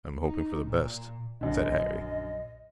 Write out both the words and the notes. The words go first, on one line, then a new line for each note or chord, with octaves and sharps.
"I'm hoping for the best," said Harry.
D#4
A#2
A#1 F#2 D3 D#5